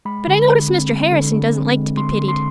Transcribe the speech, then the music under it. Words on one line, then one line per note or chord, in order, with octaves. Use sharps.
But I notice Mr. Harrison doesn't like to be pitied.
G#3 B5
D3
D3
C4
G#3
D3
D3
C4
G#3
D3 C6
D3
C6